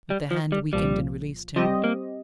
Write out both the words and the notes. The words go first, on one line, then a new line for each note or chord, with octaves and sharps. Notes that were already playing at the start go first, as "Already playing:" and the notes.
But the hand weakened and released him.
G3
F3
G3
C2 A#2 F3 G3
F3 G3 C4 G4 D#5
A#3